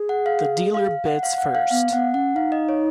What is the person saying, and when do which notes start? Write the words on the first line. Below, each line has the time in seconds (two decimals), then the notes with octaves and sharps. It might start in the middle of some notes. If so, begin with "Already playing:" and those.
The dealer bids first.
Already playing: G#4
0.09 F#5
0.26 F5
0.74 F5
1.06 F#5
1.23 F5
1.38 F#5
1.55 F5
1.71 B3 F5
1.92 B3 F#5
2.14 C#4 F#5
2.35 D#4 F5
2.52 D#5
2.69 C#5